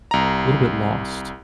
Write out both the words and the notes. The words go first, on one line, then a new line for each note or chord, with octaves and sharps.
little bit lost
C2 A#5